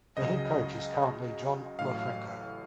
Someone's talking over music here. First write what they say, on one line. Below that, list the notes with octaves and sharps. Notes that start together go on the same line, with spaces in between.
The head coach is currently John Lofranco.
C#2 C#3 F#3 D#5
A1 A2 F#3 F5